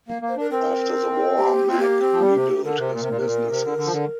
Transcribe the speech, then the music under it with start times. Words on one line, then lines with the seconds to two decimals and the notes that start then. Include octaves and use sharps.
After the war, Mack rebuilt his businesses.
0.08 A#3
0.22 A#3
0.29 C5
0.37 D4 A#4
0.51 C4 A#4
1.37 G4
1.68 C4 F4
1.79 A#3 G4
2.00 C4
2.13 F3
2.21 G3
2.35 C3
2.64 D3 A#4
2.79 C3
2.93 A#2
3.01 C3
3.09 A#2
3.18 C3
3.25 A#2
3.50 C3
3.64 D3
3.78 D3
3.86 F3
3.92 D3